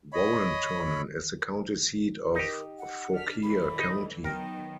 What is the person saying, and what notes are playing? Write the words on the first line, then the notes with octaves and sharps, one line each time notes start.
Warrenton is the county seat of Fauquier County.
C#5 D#5 B5
D#4 G4 A#4
F#5
D4 F6 B6
A2 D3 E3 B5
D#4
D#3 F#3 B3 A#4 G5